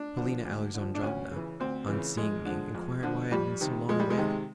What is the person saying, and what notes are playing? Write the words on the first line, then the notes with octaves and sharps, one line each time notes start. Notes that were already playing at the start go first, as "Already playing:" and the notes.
Polina Alexandrovna, on seeing me, inquired why I had been so long away.
Already playing: D4
D3 F3
D2
D3 F3
D4
D2 C#4
C#3 E3
D2 C4
C#3 E3
F2 G#3
D3 F3
F2
D3 F3
F2 G3
C3 D#3
F2 G#3
G3
G#3
C3 D#3